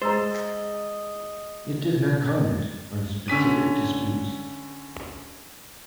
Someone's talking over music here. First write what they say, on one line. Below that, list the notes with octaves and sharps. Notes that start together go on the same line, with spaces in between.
It does not comment on specific disputes.
G#3 C5 D#5 A#5 E6 A6
D3 C#4 B6 D#7